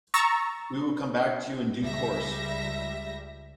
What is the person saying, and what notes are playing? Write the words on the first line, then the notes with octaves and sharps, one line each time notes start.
We will come back to you in due course.
A#5 C#6 E6 A6
C#2 G3 E5 A#6